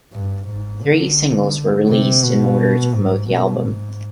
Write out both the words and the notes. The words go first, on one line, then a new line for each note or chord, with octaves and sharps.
Three singles were released in order to promote the album.
G2
G#2
D3
C3
B2
G#2
B2
G#2